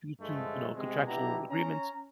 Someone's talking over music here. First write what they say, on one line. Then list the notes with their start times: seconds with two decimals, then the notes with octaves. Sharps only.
due to, you know, contractual agreements
0.20 G2 D3 F3 G#3 A3
0.76 C3 G#3
1.07 B2 D4 E4 G4 A#5
1.51 C#4 A#5